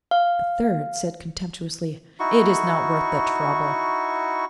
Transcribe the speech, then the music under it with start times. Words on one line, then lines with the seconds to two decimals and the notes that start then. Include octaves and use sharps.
But the third said contemptuously, 'It is not worth the trouble!
0.11 F5
2.20 D#4 E4 F#4 C#6